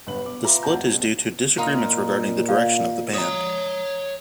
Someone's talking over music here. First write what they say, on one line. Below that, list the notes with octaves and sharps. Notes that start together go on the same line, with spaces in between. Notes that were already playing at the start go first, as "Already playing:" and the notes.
The split is due to disagreements regarding the direction of the band.
G1 G2 B4 F#7
B2 D6
F4 B4 E5 A#5 D6
G1 G2 F#5 A5 A#5 G6
G3
B1
A#2 D#4 F4 A#4
D5 F5
C#5 A#5 D#6